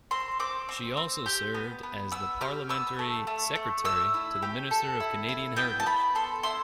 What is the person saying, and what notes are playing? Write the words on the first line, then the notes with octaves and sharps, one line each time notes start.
She also served as Parliamentary Secretary to the Minister of Canadian Heritage.
C4 C6
C4 D6
C4
C4
G4
B3
B3
B3 E6
G4 F6
B3 E6
A3
A3
A3
A3 E6
E4
G4
A4
E4
E4
B3 G5
A5
B3 B5
A4 C6
E4 C6